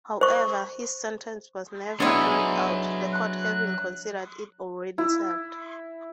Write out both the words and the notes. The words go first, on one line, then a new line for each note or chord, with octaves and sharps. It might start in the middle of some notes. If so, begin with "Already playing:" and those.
However, his sentence was never carried out, the court having considered it already served.
C5 C#6
F#3 G#3 B3 D4 E4 C#5 D#5
F#6
E4